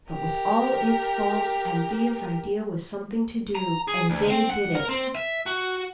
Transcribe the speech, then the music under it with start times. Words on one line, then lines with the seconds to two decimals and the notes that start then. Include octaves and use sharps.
But with all its faults Anthea's idea was something to do, and they did it.
0.11 G4 A#4
3.55 A#5
3.88 G#4
4.10 D2
4.30 C4
4.50 F#5
4.75 A#4
4.89 C4
5.15 E5
5.46 F#4